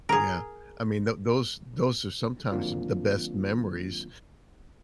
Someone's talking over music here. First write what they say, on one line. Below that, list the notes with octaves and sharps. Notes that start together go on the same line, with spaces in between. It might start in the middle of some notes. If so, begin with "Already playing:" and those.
Yeah. I mean, tho those those are sometimes the best memories,
G#4 A#4
D#3 F#3 A#3 C4 D4 F4